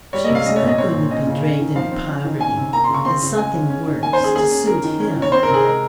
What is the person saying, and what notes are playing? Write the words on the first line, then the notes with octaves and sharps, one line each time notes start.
She was not going to be dragged into poverty and something worse to suit him.
G3 C#5
D#5
C3
F5
C#4 D#5
C#5
A#2
D#5
C4 C#5
A#2
C#4 D#5
C#3
C#4
D#3
F3 F5
C4
C#4
D#3
C#4 G#5
C3
A#3 A#5
C6
C#3
C#6
C4 C6
C#3
G#3 G#5
C#4
C#4
D#3
A#3 G#5
C5
C#4 G#4
A#3 G#4
C#4
C#4 A#4
D#3
C#4
D#3
C#5
C4 C5
A#4
C3
G#4
G#3 A#4